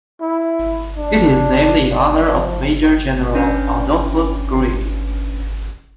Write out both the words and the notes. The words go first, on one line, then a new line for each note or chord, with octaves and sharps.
It is named in honor of Major General Adolphus Greely.
E4
D4
D5
F3
C#4 D4 B4